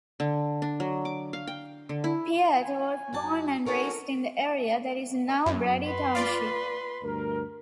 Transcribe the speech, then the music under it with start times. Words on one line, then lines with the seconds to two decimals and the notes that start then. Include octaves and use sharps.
Piatt was born and raised in the area that is now Brady Township.
0.20 D3
0.62 D4
0.80 F#3
1.05 D6
1.33 F5
1.47 G5
1.89 D3
2.04 E4
2.60 G#5
3.13 F#2 F#4 A5
3.66 C#4 D#4 F#4 A4 A#4
5.46 F#2
5.86 B4 C6
6.15 F4 D5
7.03 D2 G2 A#4